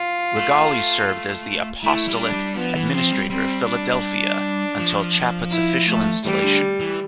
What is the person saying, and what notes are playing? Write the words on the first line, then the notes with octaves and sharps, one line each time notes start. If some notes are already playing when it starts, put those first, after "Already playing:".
Rigali served as the Apostolic Administrator of Philadelphia until Chaput's official installation.
Already playing: F4
A3
A3 E4
G3
D4
G3
F3 B3
E3
F3 C4
G3
G3 C4
D4
F3
E4
A3
E3 G3
D3
E3